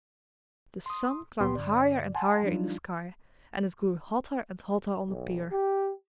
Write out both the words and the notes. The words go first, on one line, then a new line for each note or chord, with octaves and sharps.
The sun climbed higher and higher in the sky, and it grew hotter and hotter on the pier.
C6 D#6
C#2 A#2 B3 G4 C6
G2 D3 D5
F#5 G#5 A5 C6
F3 G3 D4 D#4 F4
B1
G4